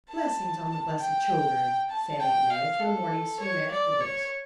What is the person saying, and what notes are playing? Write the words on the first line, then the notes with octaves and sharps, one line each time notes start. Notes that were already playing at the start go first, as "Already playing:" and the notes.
"Blessings on the blessed children!" said aunt Madge, one morning soon after this.
A5
A5
G5
A5
G5
F5
A4
C#5
D5
C#5